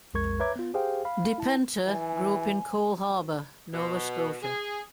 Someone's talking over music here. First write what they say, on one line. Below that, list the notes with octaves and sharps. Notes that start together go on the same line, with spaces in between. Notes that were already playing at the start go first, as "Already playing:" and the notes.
DiPenta grew up in Cole Harbour, Nova Scotia.
B1 F2 G#3 A#4 C#6 G#6
B4 C#5 E5 A#5 D6 G#6
B3 F4
G4 G#4 C5 F5 G5
F5 B5
E4 A5
E3 G#5
B2
G#4